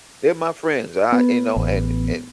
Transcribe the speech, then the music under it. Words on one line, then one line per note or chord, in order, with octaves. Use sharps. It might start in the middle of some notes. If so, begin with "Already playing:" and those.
They're my friends. I you know, and and
B3
A1